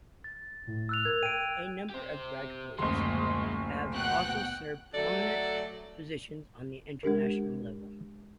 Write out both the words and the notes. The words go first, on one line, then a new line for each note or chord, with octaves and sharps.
A number of graduates have also served prominent positions on the international level.
A6
A2
E6 F#6 F7
A#4 G#6
G5 D7 D#7
G4 C5
F#1 D2 A#2 G#3 C6
B2 F#5 G5 F#6
F#3 A3 A4 D5
G#3 D4 G4 A#4